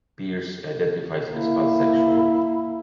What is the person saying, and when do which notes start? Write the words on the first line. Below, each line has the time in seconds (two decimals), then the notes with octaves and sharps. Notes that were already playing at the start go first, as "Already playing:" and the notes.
Pearce identifies as pansexual.
1.32 A#3 E4